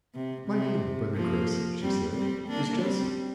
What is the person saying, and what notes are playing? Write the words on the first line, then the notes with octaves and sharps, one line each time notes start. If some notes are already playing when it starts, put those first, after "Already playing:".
"My name, brother Chris," she said, "is Jessie."
C3
C3
F3 A#3
G3 C4
G3 C4
A#3 D4
G3 C4